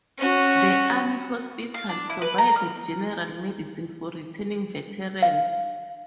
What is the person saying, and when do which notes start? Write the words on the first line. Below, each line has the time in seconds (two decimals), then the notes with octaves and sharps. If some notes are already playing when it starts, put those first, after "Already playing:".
The Army hospital provided general medicine for returning veterans.
0.19 C#4 F#4
1.74 F5
1.89 D4
2.10 E4
2.22 B4
2.38 A#5
2.56 F6
5.22 F5